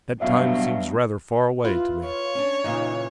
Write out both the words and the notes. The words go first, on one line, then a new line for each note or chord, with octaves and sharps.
"That time seems rather far away to me."
G2 B2 F#3 D5 E5 F5
E4 F4 B4
C#5
C#4 D4
A#2 C#3 E3 D#4